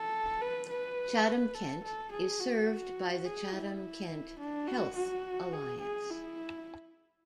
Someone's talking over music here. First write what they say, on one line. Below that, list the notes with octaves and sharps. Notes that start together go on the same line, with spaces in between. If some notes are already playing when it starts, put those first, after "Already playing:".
Chatham-Kent is served by the Chatham-Kent Health Alliance.
Already playing: A4
B4
B4
A4
A4
G#4
F#4
G#4
E4
D4
F#4
F#4
G#4
G#4
E4